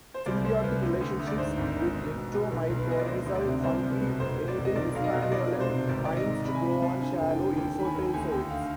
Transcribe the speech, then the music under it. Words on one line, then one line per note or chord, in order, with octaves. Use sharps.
Symbiotic relationships with ectomycorrhizal fungi enable Hispaniolan pines to grow on shallow, infertile soils.
C5
C2 D5
C2 C5
C2 B4
D2
D2
D2
D5
G#2 C5
G#1
G#1
B2
B2
B2
B1 B4
B1
B4
B2 D#5
D5
D2 C5
D2
D5
C3
C2 C5
C2
B4
B2
F1 C5
F1
D5
F1
D#5
B1 D5
B1 F5
D#5
B2
D#5
F3 D5
C3 B4
C5
C3
G#1 D5
D#3 D5
D#5
G#2
C3 B5
G#5
C3 B5
F3
D3 G#5
F1
G5
D3
D#2 G5
D#3 B5
G#5
D#2
G5
D2 G#5
D2 G5
D3 F5